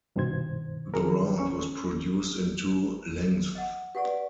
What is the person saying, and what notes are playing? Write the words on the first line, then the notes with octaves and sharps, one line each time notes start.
The round was produced in two lengths.
C2 G2 B2 D#3 C5 G#6
D#3 F3 C4 G#4 A#4
C#4 C#6
D#5 F#5
G4 B4 D5 F#5 C#6